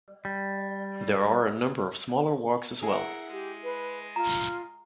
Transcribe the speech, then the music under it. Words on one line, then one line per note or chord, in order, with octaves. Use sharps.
There are a number of smaller walks as well.
G3
E4 G#4 A#4 F#5
G#3 G4
B4
F4 A#5